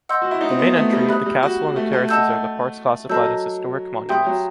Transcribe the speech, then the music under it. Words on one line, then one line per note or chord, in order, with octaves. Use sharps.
The main entry, the castle and the terraces are the parts classified as historic monuments.
D#5 F#5 C6 E6 G6
F#4
E4
D#4
C4
B3
A3
G3
G3 E5 B5 D#6 F#6
G3
F#4
A3
A3
D#5 F#5 A5 E6 G6
F#3 A4 D#5 A5 E6 G6
G3 E5 G5 C6 D#6 G6
F#3